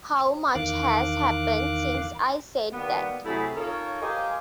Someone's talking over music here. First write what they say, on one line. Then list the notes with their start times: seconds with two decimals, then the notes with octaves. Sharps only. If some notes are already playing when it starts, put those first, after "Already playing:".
How much has happened since I said that!
0.55 E2 D#3 F5 D6 F#6
2.72 D#3 G3 A#3 B3
3.25 C3 F#3 A3 E4 G#4 B5
3.56 D#4 F4 A4 A#4 C#5
4.02 G4 A#4 C5 D#5 F5 G#5